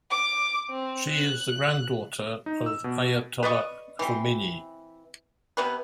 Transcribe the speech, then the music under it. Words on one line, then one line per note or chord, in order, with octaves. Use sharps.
She is the granddaughter of Ayatollah Khomeini.
D6
C4
F#6
D#4
E6
B2
B4 D5 D#5 C#6
E3 C4
C3 B3 B4